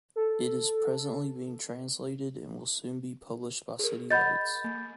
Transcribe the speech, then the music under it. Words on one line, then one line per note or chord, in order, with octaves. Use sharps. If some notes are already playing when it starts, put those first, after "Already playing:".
It is presently being translated and will soon be published by City Lights.
A4
G#4 A#4
D#5 F#5 B5 G6 A6
A#3